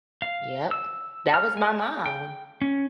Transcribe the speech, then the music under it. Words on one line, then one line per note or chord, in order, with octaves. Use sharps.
Yep, that was my mom.
F5
E6
F6
G#5
G5
C#4